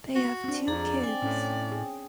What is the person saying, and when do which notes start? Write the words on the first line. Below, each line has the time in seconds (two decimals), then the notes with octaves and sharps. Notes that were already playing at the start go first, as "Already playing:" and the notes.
They have two kids.
0.16 F#4
0.44 C4 D4
0.68 F2 G#4 D5 A#5
1.03 C4 G5 G#5
1.22 A2 C#4
1.72 G#4